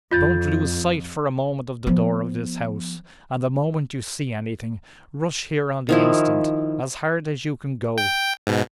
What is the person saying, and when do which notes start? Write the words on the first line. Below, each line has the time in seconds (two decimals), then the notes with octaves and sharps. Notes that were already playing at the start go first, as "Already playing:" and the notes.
Don't lose sight for a moment of the door of this house, and the moment you see anything, rush here on the instant! as hard as you can go!
0.11 F2 F4 G6 A6
1.87 F3 B3
5.89 D#3 F3 E4
7.98 G5
8.47 G#2 B2